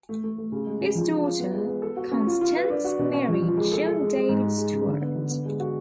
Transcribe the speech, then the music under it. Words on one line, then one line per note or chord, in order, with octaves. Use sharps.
His daughter Constance married John David Stewart.
A3
A3
A3
C#3
G#3
C#3
F3
F4
F4
B3
G#3
B3
A4
F#4
C#4
F4
F4
B4
D4
F#4
B2
C#4
F3
F3
G#3
A4
A4
G#3
G#3
G#2
G#3
G#3
C#3
D3
B3
D3
B3
G#3
F#4